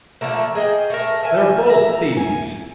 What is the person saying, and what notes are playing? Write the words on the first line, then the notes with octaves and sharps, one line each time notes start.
"They're both thieves!"
D3 F3 A3 A#3
G#4 D#5 E5 G5
A3 A#4
E5 G#5
E5 A#5
G#5